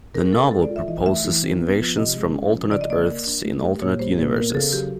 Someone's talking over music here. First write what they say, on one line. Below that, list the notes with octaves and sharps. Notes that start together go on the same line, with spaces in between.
The novel proposes invasions from alternate Earths in alternate universes.
G#4 A#4
A#4
C4 A4
G#3 A4
D5
F4
E5
E3 D#5
A3 E5
E3
C4
B3
F3
C3 D#5
G#3
C#4
F3
C#3 D5
D#5
A#3 D5
A#4
D4
A3
G4
A#2 C#5
G3 C5
A#2 B4
B3 A#4
G#4
C#3 A4
F#3 G4